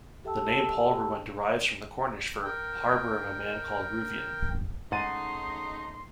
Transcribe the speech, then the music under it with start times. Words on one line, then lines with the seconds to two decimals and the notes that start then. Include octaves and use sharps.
The name Polruan derives from the Cornish for "harbour of a man called Ruveun".
0.25 G4 A4 E5 G5 A5 E6
2.43 A#4 G5
4.92 G#2 C#3 A3 D#4 F#5 C6 A6 D#7